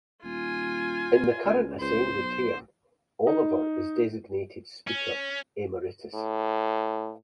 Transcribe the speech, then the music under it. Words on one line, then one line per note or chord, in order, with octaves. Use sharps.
In the current Assembly term, Oliver is designated Speaker Emeritus.
D#1 F4 G#5
C#2
C#2 C5
B1
D#4
C#4
A2